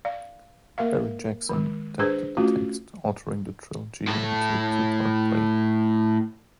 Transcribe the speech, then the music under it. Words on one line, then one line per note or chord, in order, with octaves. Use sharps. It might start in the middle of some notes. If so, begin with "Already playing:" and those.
Barry Jackson adapted the text, altering the trilogy into a two-part play.
D5 F5
A#3 A#4 E5 F5
D#3 G#3
D4 G#4 B4 C5
A3 C#4 F4 F#4
A2 A4